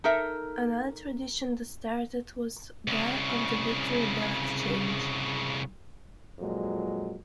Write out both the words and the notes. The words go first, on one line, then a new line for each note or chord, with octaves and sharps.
Another tradition that started was that of the Victory Bell exchange.
D#4 A4 A#4 E5
C2 C#3
F2 A#2 F#3 G#3